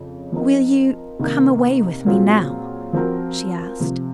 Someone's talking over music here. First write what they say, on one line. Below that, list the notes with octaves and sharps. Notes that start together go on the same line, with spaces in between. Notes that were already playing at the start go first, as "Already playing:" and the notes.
"Will you come away with me now?" she asked.
Already playing: F2 C#3
F3 C4 D#4 A#4
C3 D#3 A#3
A#2 F#3 C4 F4 G#4
F3 C4 F#4 A#4
C3 F3 C4